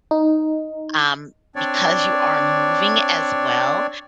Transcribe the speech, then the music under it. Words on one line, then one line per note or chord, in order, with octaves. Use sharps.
um, because you are moving as well.
D#4
C4 D4 C#5 D5